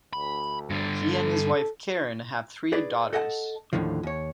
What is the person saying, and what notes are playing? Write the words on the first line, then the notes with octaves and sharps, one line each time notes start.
He and his wife Karen have three daughters.
D2 B5
G2 D3
A4
G#4 B4 D5
A4 D#5 F#5 G5 A5
D#2 A2 D3 D#3 F3
D#2 C#5